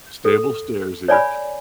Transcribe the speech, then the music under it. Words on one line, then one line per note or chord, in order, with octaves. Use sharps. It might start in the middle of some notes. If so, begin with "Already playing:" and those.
stable stairs here,"
A4
C#5 D5 G#5 B5